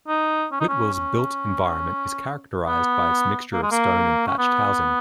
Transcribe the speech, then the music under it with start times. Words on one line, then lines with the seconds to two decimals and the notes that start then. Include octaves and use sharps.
Whitwell's built environment is characterised by its mixture of stone and thatched housing.
0.08 D#4
0.52 C#4
0.60 D#4
0.68 C#4
0.94 C#4
2.66 B3
3.53 A#3
3.63 G#3
3.71 A#3
4.27 C#4
4.38 B3